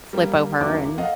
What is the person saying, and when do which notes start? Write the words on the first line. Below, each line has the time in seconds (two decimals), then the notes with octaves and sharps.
flip over and
0.13 G3 A#3
0.60 D#2 F#3 B3 D4 E4 D6
0.81 A#3
0.98 A4 D#5 F5 F#5